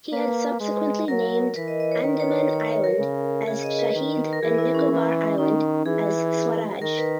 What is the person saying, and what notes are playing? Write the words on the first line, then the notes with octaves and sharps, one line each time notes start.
He had subsequently named Andaman Island as Shaheed and Nicobar Island as Swaraj.
A#3 B4
G#3
F#3 A#4
E3 B4
D#5
D#5
C#5
D#3 B4
C#5
C#5
C#5
C#5
A#4
C#3
C#3 G#4
D#5
B4
D#3
A#4
E3 G#4
E4
C#4
E3
D#3 D#4
E3 G#4
D#3 A#4
B4